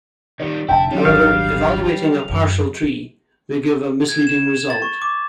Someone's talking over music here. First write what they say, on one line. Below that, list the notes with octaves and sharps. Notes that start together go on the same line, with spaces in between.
However, evaluating a partial tree may give a misleading result.
D#3 G3 D5
F1 D3 E4 G5 A5
F#3 G3 C#4
D#1 G#1 D4 F5
F#2
G#6
E7
A6
C#6
D6